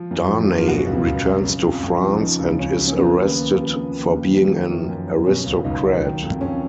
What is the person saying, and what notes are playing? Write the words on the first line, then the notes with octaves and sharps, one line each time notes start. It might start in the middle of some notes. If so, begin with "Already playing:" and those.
Darnay returns to France and is arrested for being an aristocrat.
Already playing: F3
F#2
F3
F#2
F4
B2 F#4
C#2
C#2
F#3
C#3
F2
F2
F3
C#3 D#4
C#2
C#2 C#4
F#3
C#4
C#3 B3
D#2
D#2
F3
C#3
D#2
D#2
F3
D#3
F#2
F#2
F#3
B2 C#4
C#2
C#2 D#4
F#3
D#3
F2
F2 C#4